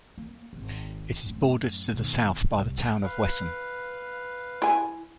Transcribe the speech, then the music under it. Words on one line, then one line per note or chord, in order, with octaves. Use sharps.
It is bordered to the south by the town of Wesson.
A#3
D#1 G#1
F#2 A2
D#2 B2
C2
B4 F5
E4 G#5